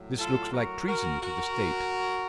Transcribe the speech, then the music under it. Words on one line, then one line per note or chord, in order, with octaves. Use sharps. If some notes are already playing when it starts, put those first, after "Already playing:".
This looks like treason to the state.
Already playing: A2 F#3
F4 A4
F#4 A#4
F#4 A#4
F#4 A#4